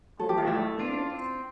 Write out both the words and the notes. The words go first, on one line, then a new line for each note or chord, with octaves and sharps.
Ground News?
A4
G4
F4
A3 E4
D4 F4
C4